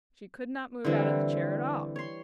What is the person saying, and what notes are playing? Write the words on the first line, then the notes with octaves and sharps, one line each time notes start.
She could not move out of the chair at all.
D3 E3 G3 C4
C#5 C6